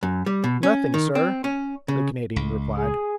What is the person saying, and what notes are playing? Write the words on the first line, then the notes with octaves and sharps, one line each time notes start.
"Nothing, sir," the Canadian replied.
F#2
G3
B2
C#4
D#3
C4
C#4
C#3
C#2
G#4